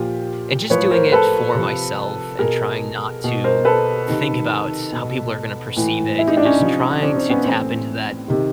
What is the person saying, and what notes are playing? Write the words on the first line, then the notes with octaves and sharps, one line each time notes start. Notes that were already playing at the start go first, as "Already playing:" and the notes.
and just doing it for myself and trying not to think about how people are gonna perceive it and just trying to tap into that
Already playing: A#2 F3 F4 G4
A2 F3 B4 C#5
A#4 C5
A4 B4
C3 F3
B2 G#4 A#4
B2
A#4 C5
A4 B4
C3 D#3
B2
A2 E3
E4
D#4
D4
C#4 D#4
C3 F3
C4 D4
C4
B3 C#4
A2 E3 C4
C3 D#3